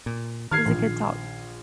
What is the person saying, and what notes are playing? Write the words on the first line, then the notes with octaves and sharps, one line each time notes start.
It was a good talk.
A#2
D#3 F6 G#6 C7
A#1